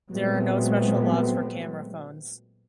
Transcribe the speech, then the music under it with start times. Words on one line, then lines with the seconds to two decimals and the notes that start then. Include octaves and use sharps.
There are no special laws for camera phones.
0.11 A#2 F#3 G#3 A3 B3 C4